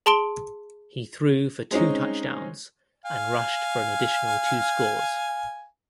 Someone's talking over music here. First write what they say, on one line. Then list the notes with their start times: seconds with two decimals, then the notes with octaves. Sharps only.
He threw for two touchdowns and rushed for an additional two scores.
0.06 G#4 A5 C6 D7 G7
1.71 G#3 C4 C#4 D#4
3.05 F5 G#5